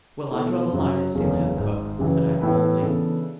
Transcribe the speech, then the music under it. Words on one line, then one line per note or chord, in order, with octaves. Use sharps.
"Well, I draw the line at stealing a cook," said I, coldly.
B2 A3 E4
F#2 C#3 F#3
F#1 E2 D3 G#3 C#4
G#1 G#2 G#3
F#1 F#2 C#3 E3
A2 E3 B3 E4 B4
C#3 E3 B3 D4 A4